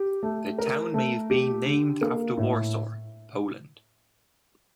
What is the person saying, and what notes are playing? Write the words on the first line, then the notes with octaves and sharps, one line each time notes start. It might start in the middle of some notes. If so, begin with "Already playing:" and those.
The town may have been named after Warsaw, Poland.
Already playing: G4
A3
A#4
A3
G4
D3
A#3
A2